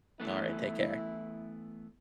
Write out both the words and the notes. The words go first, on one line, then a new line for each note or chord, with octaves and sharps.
Alright. Take care.
E3 A3 B3 E4